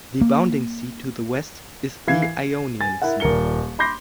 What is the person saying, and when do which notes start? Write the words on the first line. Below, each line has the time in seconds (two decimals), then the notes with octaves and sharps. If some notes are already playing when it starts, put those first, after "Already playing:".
The bounding sea to the West is the Ionian Sea.
0.21 A#3
2.07 E3 F5 G#6 C7
2.22 C7
2.80 G#5 A6
3.02 E4 A#4 E5 F#5
3.20 D#1 A#2 A#4 C#7 G7
3.79 B5 C6 D6 G6 A#6 C7